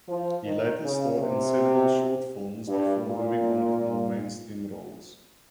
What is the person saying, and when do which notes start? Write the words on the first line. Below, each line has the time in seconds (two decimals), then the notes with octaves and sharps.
He later starred in several short films before moving on to more mainstream roles.
0.08 F3
0.45 D#3
0.83 C#3
1.19 C3
2.68 G2
3.05 A#2